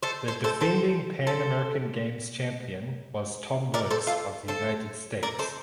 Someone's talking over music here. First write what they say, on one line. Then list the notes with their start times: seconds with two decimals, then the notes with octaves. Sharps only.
The defending Pan American Games champion was Tom Woods of the United States.
0.03 A4 C5
0.28 A4 C5
0.44 A4 C5
0.61 A4 C5
1.27 A4 C5
3.74 A#4 D5
3.90 A4 C5
4.07 F4 A4
4.48 A4 C5
5.23 A#4 D5
5.39 A4 C5